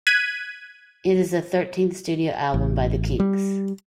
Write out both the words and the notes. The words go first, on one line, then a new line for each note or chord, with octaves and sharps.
It is the thirteenth studio album by The Kinks.
F#6 G#6 B6 D#7
A1
G3